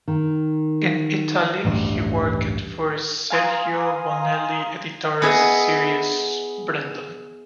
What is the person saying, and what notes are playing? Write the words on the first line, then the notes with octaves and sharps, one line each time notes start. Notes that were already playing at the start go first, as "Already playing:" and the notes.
In Italy, he worked for Sergio Bonelli Editore's series "Brendon".
D#3
A1 D2 G2
F5 G#5 A#5 C6 D#6
B3 E4 G#4 B4 D#5